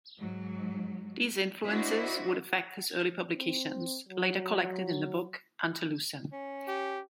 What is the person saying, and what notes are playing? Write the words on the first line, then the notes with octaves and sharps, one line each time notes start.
These influences would affect his early publications, later collected in the book "Ante Lucem".
G#2 F#3
D4 E4 F#4 C5 D#5
C4
F#3
C#4
G4